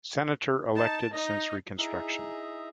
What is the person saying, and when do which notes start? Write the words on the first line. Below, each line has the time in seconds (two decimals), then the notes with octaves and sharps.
Senator elected since Reconstruction.
0.76 D#4 A5
1.13 D#4 D#5
1.79 D#4 E4 G#4 E5 A#5